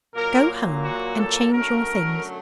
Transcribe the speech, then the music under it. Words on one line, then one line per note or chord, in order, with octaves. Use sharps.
Go home and change your things.
A#2 F#3 A#3 A#4
F#4
A4
F#2 D3 F#3 A3 A#4